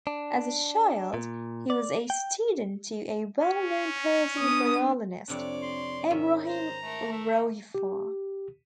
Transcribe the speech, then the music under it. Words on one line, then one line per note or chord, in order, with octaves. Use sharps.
As a child, he was a student to a well-known Persian violinist, Ebrahim Rouhifar.
D4
A#2
D5
G5
C#4
B3 D4 D#6
F2 C3 D4 C#5 D5
C6
G#2 D#3 C#4 E5
C5 A#5
A3 A#4
E5
G4